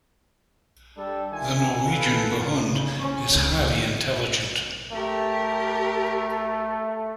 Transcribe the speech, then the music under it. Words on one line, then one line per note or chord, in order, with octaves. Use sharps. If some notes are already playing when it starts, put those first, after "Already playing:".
The Norwegian Buhund is highly intelligent.
G3 D4 A4
D#3 D4 F4 E5 G#5
A4 B4 F5
C#3
C#4
C#2
A3 G4 A#4